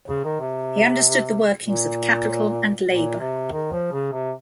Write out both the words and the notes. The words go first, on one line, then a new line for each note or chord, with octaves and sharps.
He understood the workings of capital and labour.
C#3
D#3
C3
A#2
A#2
C3
D#3
F3
C#3
C3